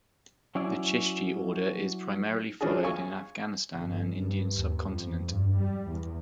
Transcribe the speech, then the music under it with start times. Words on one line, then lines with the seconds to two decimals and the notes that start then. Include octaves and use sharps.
The Chishti Order is primarily followed in Afghanistan and Indian subcontinent.
0.55 F#3 C#4 E4 D5
2.61 F3 C#4 D4 F#4 G#4
2.83 F5 G#5 C#6
3.74 G1
4.14 G2
4.56 D#2
4.88 F2
5.28 G2
5.57 G3
5.88 E2